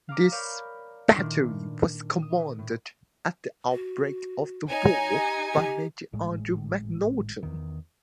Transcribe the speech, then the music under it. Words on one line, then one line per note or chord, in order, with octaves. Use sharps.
This battery was commanded at the outbreak of the war by Major Andrew McNaughton.
F5 A#5 D6
A#4 C#5 D5 F5 B5 G6
A#2 D#3 A3 D4 E4
D#6
A2
F#4
D#4 C#5 G#5
G4
G4
G#1 A2 G#3
E2 D#3